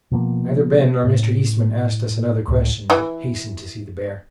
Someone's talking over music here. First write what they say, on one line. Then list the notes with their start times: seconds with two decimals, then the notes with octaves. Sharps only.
Neither Ben nor Mr. Eastman asked us another question, but hastened to see the bear.
0.11 B2 F3 A#3
1.04 A2
2.48 C#2 A2
2.90 E3